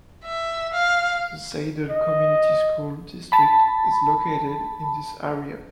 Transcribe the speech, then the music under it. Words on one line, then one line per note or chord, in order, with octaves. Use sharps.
The Saydel Community School District is located in this area.
E5
F5
D#5
A5 B5